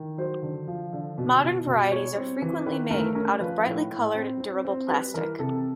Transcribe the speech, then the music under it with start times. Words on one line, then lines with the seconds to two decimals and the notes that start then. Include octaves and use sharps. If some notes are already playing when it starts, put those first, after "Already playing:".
Modern varieties are frequently made out of brightly colored, durable plastic.
Already playing: D#3
0.18 F#3 C5
0.42 D3
0.67 F3
0.93 D3
1.18 B2
1.42 B2
1.66 B2
1.92 G3 C#5
2.16 C4
2.42 E3
2.66 D#3 B4
2.91 A3 A#4
3.15 C#4 A#4
3.40 F3 B4
3.65 A2
3.90 A2
4.15 C4
4.40 C4
4.65 C4
4.88 G3 B4
5.14 E3 A#4
5.39 C3 A4